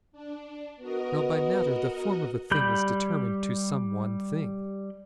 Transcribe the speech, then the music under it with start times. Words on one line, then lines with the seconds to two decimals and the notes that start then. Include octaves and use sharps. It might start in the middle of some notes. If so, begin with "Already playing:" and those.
Now by matter the form of a thing is determined to some one thing.
0.12 D4
0.80 B3 F#4 A#4 D#5
2.51 G3 G4 B5 G6